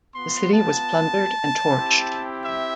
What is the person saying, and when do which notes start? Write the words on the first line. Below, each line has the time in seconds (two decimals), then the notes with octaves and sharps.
The city was plundered and torched.
0.14 B3 F4 C6
0.53 A5
1.68 C4 E4 G4
2.45 E5